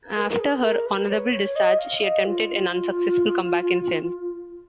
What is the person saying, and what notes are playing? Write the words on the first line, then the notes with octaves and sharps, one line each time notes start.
After her honorable discharge she attempted an unsuccessful comeback in films.
A#4
B4
A#4
G#4
A#4
B4
C#5
C#5
D#5
F5
D#5
F4